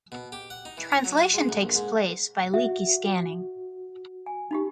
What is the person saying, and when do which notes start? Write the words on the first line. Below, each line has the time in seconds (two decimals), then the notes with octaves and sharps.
Translation takes place by leaky scanning.
0.12 B2
0.32 G4
0.50 F#5
0.65 D#4
0.77 E3
0.92 A#5
1.04 F#3
1.17 F#4
1.34 G#3
1.49 D2
1.61 A#1
1.75 G#2
2.54 F#4 E5
4.26 G#5
4.51 D#4 F4 G4